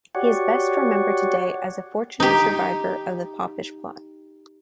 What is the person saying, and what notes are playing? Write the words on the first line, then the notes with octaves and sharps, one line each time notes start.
He is best remembered today as a fortunate survivor of the Popish Plot.
F#4 G4 C#5 D5 F#5
D#4 G4